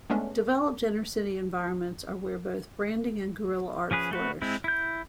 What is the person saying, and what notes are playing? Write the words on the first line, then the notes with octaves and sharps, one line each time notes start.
Developed, inner-city environments are where both branding and guerrilla art flourish.
G#3 A3 B3 C#4 D4
F3 C#4 G#4 B4
A3 F#4 B4
G#3 C4 E4
E4 G6